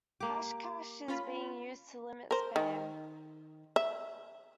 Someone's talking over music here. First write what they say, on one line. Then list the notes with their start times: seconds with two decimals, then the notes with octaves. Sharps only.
Hashcash is being used to limit spam.
0.20 A#3 G4 D6
1.08 C#4 F4 B5
2.31 A#4 C5
2.56 D#3
3.76 E5